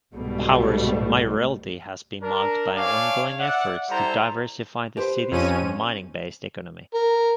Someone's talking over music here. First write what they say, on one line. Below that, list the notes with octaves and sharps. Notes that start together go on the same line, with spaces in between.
Power's mayoralty has been marked by ongoing efforts to diversify the city's mining-based economy.
C2 G#2 B2 G3 A3
D4 A#4
D4 C#5 F5 G#5 D6
D5 E5 F#5
G3 E4 A4 C5 A#5
G4 B4 C5
F2 C#4 D#7
A#4